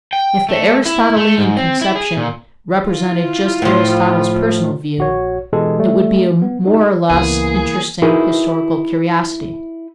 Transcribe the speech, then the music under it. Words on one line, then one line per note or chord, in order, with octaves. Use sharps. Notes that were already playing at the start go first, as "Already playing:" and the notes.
If the Aristotelian conception represented just Aristotle's personal view, it would be a more or less interesting historical curiosity.
G5
A3
E4
A3
G#2
C4
E4
G#4
A#2
E4 F4
A2 F3
A#1 F#4 C#5
B2 E3 G#3 G4 A4
G3 A3
B3
D#4 F#4
C#2 E3 A#3 B3 G#4
D#4 E4 F#4 G#4 A#4 B4